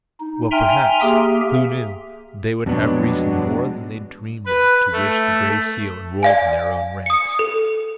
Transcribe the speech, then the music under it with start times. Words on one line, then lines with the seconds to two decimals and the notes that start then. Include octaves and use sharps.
Well, perhaps, who knew, they would have reason more than they dreamed of to wish the Gray Seal enrolled in their own ranks!
0.20 D#4
0.51 E5 G5 G#5 A#5 C6 F6
1.02 A#3 G4 G#4 E5
2.66 F2 B2 F#3 G#3 B3 D4
4.46 B4
4.93 A3
6.23 D5 F5 G#5
7.06 D#6 C#7
7.39 A4